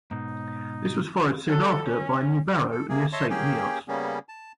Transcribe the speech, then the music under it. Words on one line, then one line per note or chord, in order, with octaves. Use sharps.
This was followed soon after by a new barrow near Saint Neots.
G#2 B2 D#4
F#3 A4
C#4
A4
C3 A#3 G#4
C#5 D#5 E5 A5 C6
A#3 C#4 G4 G#4 G5
C#3 G3 A#3 B3 C#4
A5